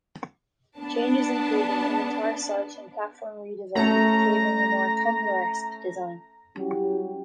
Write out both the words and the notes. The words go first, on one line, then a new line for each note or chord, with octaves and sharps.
Changes included an entire site and platform redesign, favoring a more Tumblr-esque design.
B3 D4 A5
A3 C#4 A4 A#5
F#3 G3 C#4 E4 F#4 G4